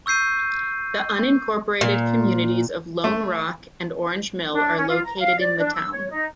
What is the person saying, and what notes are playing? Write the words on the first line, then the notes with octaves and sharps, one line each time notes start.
The unincorporated communities of Lone Rock and Orange Mill are located in the town.
C#6 E6 G6 C7 D#7
A#2
A3
D4
C#4
F4
A#5
F5
D5
D4
E6
C#5
D#4